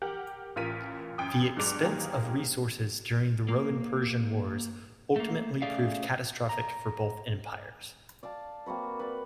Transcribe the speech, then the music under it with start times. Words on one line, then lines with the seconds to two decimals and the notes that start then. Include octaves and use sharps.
The expense of resources during the Roman-Persian Wars ultimately proved catastrophic for both empires.
0.02 G4 A#4 F#5
0.56 A1 F4 A#4 B6 D#7
1.18 F#2 G5 D#6
1.57 G2 F#3 G#3 D6 F7
1.83 D#3 F#3 G#3 A#3 G4 G#4
3.49 A#3
5.16 A3 A#3
5.62 A3 C#4 G#4 D5 E5 F5
6.49 A#5
8.23 D5 F5 A5
8.66 A#3 C4 F#4 B4
8.99 B4 D5